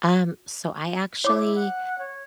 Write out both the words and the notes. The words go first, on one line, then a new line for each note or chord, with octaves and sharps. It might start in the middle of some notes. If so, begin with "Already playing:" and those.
Um, so I actually,
E4 C#5 D6
F#5
C#5